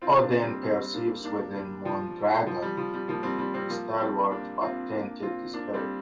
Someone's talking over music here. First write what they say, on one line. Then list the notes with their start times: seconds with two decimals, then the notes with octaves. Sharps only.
Odin perceives within Moondragon a stalwart but tainted spirit.
0.02 C4 F4
0.22 A#3 D4
0.42 G3 C4
0.63 G3 C4
0.93 A#3 D4
1.24 A#3 D4
1.54 G3
1.85 F3
2.46 F3
2.62 G3
2.77 F3
2.94 G3
3.08 F3 A#3
3.23 G3 C4
3.38 G3 C4
3.54 G3 C4
3.69 F3 A#3
4.00 G3 C4
4.31 A#3 D4
4.61 C4 F4
4.93 A#3 D4
5.22 C4 F4
5.54 A#3 D4
5.74 G3 C4